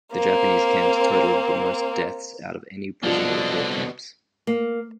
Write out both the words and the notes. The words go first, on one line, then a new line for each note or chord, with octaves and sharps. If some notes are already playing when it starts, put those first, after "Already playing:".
The Japanese camps totalled the most deaths out of any prisoner of war camps.
A#3 C4
C2 D3 F3 B3 D4 F#4 D#5
A#3